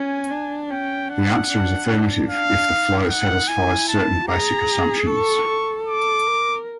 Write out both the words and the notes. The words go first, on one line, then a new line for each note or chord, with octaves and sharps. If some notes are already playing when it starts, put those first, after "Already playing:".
The answer is affirmative, if the flow satisfies certain basic assumptions.
Already playing: C#4 G#5
D4
C#4 G5
D4 F#5
D4
D4
F5
D#4
F#5
E4 G#5
A5
G#4 A#5
A4 C#6
A4
D6
A#4